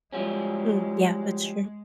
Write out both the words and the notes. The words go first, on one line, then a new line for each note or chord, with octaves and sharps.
Mm, yeah, that's true.
F3 G3 G#3 C#4